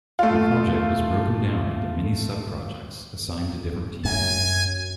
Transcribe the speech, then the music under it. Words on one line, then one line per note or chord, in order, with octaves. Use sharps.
The project was broken down into many subprojects assigned to different teams.
A3 F4
F#2 G#5